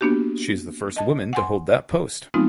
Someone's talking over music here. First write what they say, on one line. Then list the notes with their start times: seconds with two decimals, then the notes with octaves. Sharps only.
She is the first woman to hold that post.
0.01 A#3 B3 D4 F#4 G4
0.96 D#5 A5
1.33 F#5 G#5 C6
2.34 F3 G#3 B3 C4 D#4 F4